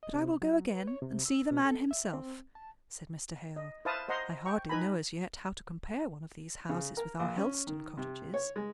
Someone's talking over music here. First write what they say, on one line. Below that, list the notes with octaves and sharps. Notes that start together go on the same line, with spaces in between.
'But I will go again, and see the man himself,' said Mr. Hale. 'I hardly know as yet how to compare one of these houses with our Helstone cottages.
D#5
C3
F#3
B4
C#5
C3
E6
B2
A4
E5
C4
A5
D#5
B4 C5 E5 F5 A5 D#6
C5 D#5 F#5 A#5 C6
G5 C#6
D#4 B4 G#5 A#5 B5
C#3
A#4
A#1
C#4
D#3
C3
C#5
G#3